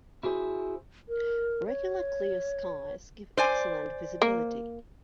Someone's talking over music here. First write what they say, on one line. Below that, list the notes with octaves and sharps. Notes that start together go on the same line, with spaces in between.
Regular clear skies give excellent visibility.
E4 F#4 G#4 C5
A#4
C#5
C5 D5 G#5
A#3